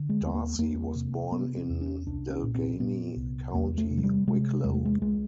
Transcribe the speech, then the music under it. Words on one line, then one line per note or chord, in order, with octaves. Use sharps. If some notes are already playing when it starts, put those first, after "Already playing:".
Darcy was born in Delgany, County Wicklow.
Already playing: D3
G#3
D#2
B3
A#3
E2 A#3
C3
C3 B3
C4
E2
C#4
C2 D4
C#4
A#2
C4
A#2 B3
C2
E2 A#3
A3
C3
F#3
G3
C3 G#3
E2 G#3
A3
G#3
C2 G#3